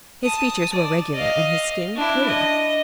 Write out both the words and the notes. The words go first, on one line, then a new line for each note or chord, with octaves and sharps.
His features were regular and his skin clear.
A5 D#6
D5
D#5 F5
D4 E4
D#5